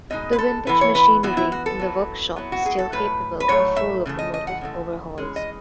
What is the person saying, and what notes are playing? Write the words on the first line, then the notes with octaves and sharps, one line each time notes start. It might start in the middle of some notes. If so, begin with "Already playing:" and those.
The vintage machinery in the workshop is still capable of full locomotive overhauls.
B2 G#3 D#4 D#5
B4
A4
E3 B3 E4 B4
C#5
B4
E3 B3 E4 F#4
E4
F#4
A4
F#3 B3 E4
F#3 B3 E4
F#4
G#4
A4
A2 F#3 A3 B4
B4
A2 F#3 A3 C#5
E5
C#3 E3 A3
D#5
D#5
F#5
C#3 E3 A3
E3 G#3 C#4
D#5